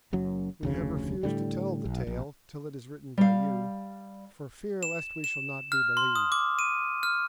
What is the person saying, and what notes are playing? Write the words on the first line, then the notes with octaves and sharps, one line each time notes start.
We have refused to tell the tale till it is written by you, for fear lest we shall not be believed.
F#1 F#2 F#3
F1 D2 C#3
A2 D3 G3
B1
A#1
G3 F5
E7
E7
F6
C6
D#6
D6
D#7
F6